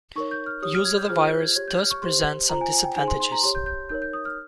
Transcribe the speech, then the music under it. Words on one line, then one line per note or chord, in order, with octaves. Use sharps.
Use of the virus does present some disadvantages.
D#4 A#4 C#5 C#6
G6
F6
G4 C#5 D#6
F6
G#6
G6
F4 G#4 C5 F6
G6
G#6
G4 C#5 G#6
G6
F6
C#6
G4 C5 C6
F4 C5 A#5
G#5
G#5
G5
D#4 G#4 C5 G#5
C6
C6
A#5
G4 C#5 C6
G6
G6
D#4 A#4 C#5 G6
G6
D#6
F6